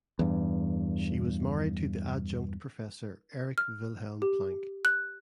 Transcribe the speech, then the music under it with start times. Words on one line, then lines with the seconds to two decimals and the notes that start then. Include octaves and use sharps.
She was married to the adjunct professor Erik Wilhelm Planck.
0.19 E2 G2
3.58 F6
4.22 G4
4.85 F#6